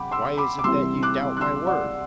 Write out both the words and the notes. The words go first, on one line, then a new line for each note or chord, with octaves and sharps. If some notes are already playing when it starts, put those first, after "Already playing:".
"Why is it that you doubt my word?"
Already playing: C3 F#3 F#5 G5 B5 D6
C6 E6
B5 D6
D6
C2 C3 E3 G3 C6 E6
D6 F#6
F#6
C6 E6
D5 F#5